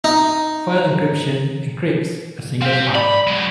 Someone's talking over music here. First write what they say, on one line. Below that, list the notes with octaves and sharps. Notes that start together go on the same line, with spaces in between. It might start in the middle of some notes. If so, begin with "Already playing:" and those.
File encryption encrypts a single file.
D#4
C4 G4 F5
D5 B5
F#3 G#3